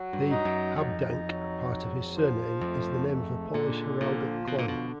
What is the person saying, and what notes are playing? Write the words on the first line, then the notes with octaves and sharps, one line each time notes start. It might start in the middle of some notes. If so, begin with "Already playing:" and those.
The "Habdank" part of his surname is the name of a Polish heraldic clan.
Already playing: F#3
G2
D#4
F#2
F2 D#4
F#3
G#2
F3
F2 A3
G#2
A#2 D3
A#2 F3
B2 D3
A#2
B2